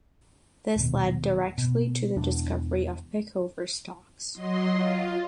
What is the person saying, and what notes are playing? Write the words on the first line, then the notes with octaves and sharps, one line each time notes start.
This led directly to the discovery of Pickover stalks.
D#1 B2
B2
E1 E2 E3 D4
F#3 D#5 C6
F4